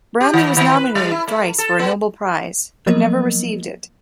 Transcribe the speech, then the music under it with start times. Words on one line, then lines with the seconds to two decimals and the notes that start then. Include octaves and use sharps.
Branly was nominated thrice for a Nobel Prize, but never received it.
0.21 G4
0.34 D#3
0.57 D#3
0.75 B4
0.95 G3
1.11 E4
1.28 A3
1.58 A4
1.79 B3
2.86 F3 F#3 A#3 B3 A#4 D#5